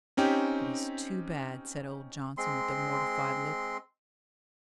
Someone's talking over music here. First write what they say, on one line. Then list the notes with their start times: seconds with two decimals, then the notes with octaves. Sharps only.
"It is too bad," said old Johnson, with a mortified look.
0.17 C4 C#4 D#4 G4
2.37 G#3 C4 C6